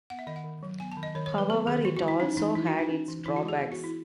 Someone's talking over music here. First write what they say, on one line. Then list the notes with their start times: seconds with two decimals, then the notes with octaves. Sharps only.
However, it also had its drawbacks.
0.10 B3 F#5
0.19 E5
0.27 D#3 D#5
0.36 F#5
0.44 D#3
0.63 F#3
0.80 B3 G#5
0.92 A5
0.97 D#3
1.03 D#5
1.15 D#3 C#5
1.26 C#5
1.33 F#3
1.38 B4
1.50 B3 A4
1.67 D#3 G#4
1.85 E3 F#4
1.97 F#4
2.02 G#3
2.08 E4
2.20 C#4 D#4
2.37 E3 D#4
2.55 E3 E4
2.67 F#4
2.73 G#3
2.79 D#4
2.89 C#4
3.08 E3
3.26 E3 E4
3.36 F#4
3.43 G#3
3.49 G#4
3.60 B3 G#4
3.72 F#4
3.78 E3
3.84 E4